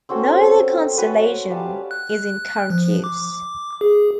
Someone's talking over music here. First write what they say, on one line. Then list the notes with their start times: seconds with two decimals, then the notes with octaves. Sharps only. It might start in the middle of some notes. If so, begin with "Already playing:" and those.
Neither constellation is in current use.
0.09 C4 C#4 F#4 A4
0.72 G5
0.98 F#4 B4 C#5 G#5
1.50 G3 F5 A5
1.91 F#6
2.30 F#6
2.70 F3
3.04 D6
3.81 G#4